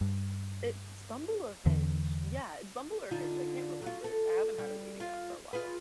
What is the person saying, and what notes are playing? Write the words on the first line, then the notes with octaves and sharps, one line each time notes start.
it's Bumble or Hinge. Yeah, it's Bumble or Hinge, I can't remember, I haven't had a dating app for a while.
G2
E2 D3 E3
D3 D#4 F4
F#3 F4
A4
G3
F4 F5
F4 G#4 B4